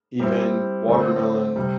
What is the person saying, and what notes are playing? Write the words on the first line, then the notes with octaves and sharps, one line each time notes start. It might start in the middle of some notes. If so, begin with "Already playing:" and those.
even watermelon
G3 C4 E4
D3 A3 C4
C3 G3